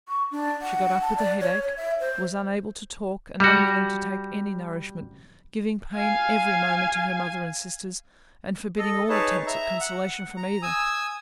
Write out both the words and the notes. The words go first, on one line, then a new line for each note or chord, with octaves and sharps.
She got up with a headache, was unable to talk, and unwilling to take any nourishment; giving pain every moment to her mother and sisters, and forbidding all attempt at consolation from either.
C#6
D4
F#5
A5
D5
C#5
C#5
E5
C5
G3 F#4
F5 G#5
A4 D#5
D#4 G#4 B4 C#5 A5
E5 A#5
F#5
A#5
G#5 D#6 E6